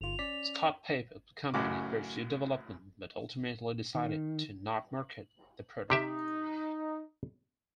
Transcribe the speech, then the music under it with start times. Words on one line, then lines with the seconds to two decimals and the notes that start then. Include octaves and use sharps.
Scott Paper company pursued development, but ultimately decided to not market the product.
0.01 G1 F4 F7
0.19 C#4 D5 B6
1.54 A1 F#2 C#3 F#4 D6
3.95 D#3
5.90 C3 D#4 G4 E5